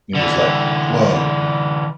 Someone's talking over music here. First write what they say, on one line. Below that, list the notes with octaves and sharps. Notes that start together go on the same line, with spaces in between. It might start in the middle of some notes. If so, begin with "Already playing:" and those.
It was like, 'Whoa!
D3 E3